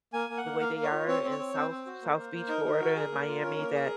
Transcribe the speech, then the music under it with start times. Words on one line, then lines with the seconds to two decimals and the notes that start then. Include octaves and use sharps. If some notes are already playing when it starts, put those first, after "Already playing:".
the way they are in South South Beach, Florida, and Miami, that
0.13 A#3 G#5
0.30 A#3
0.37 F#5
0.45 A#3
0.60 A#3 F5
0.76 A#3
0.84 C#5
0.92 F4
1.08 C4 C#5
1.23 C4
1.31 C#5
1.39 C4
1.54 C4 C5
1.71 C4
1.86 F#4
2.02 A#3
2.18 A#3
2.33 A#3
2.48 D#4 A#4
2.64 D#4
2.80 F#4
2.96 G#4
3.12 A#3
3.28 F4
3.43 C#4
3.59 A#3
3.75 G#4